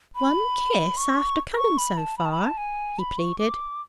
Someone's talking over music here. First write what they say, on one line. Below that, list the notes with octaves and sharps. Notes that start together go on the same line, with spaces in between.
"One kiss after coming so far," he pleaded.
B5
C#6
C#6
B5
A5
B5
A5
B5
A5
G#5
B5
C#6
D6